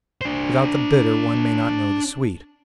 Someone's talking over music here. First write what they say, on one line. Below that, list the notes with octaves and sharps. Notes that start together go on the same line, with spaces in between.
Without the bitter one may not know the sweet.
D4 C5